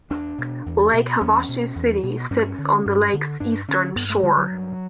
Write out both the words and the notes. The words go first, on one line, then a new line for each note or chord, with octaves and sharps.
Lake Havasu City sits on the lake's eastern shore.
E2 D4
B2
E2
B2
E2 C#4
B2
E2
B2
G2 C#4
D3
G2
D3
G2 D4
D3 C#4
G2 B3
A3
D3 G3
F#3
G2